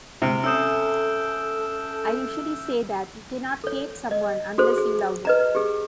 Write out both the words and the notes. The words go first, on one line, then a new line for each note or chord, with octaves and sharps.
I usually say that you cannot hate someone unless you love them.
C3 G#3 F6 D7
C#4 A4 E5 D#6 E6 G6 E7
A4 C#5
D#5
F#4 G#4 A4 C5
G#4
B4 D#5 A#5
G4 G#4